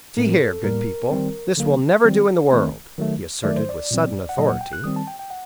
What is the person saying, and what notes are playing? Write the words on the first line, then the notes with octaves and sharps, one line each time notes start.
"See here, good people, this will never do in the world," he asserted with sudden authority.
A2 A3 C4 A#4
A4
A2 G3 A#3 A#4
D#3 G3 C4
D3 F#3 A#3
D#3 G3 C4
D#3 A3 C4
D#3 F#3 A3
D#3 F#3 A3 D5
C5
D5
A#2 F#3 C4
F#5
A#2 F#3 A#3 D#5
F#5
G5
F#6
D#3 G3 C4 D#6
A5
G5
G5
F#5